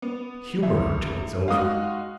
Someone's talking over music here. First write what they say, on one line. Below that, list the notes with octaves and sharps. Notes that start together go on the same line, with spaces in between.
Humour her till it's over.
B3
C#2 E5
G#3 D#4 F#4 F5 D#6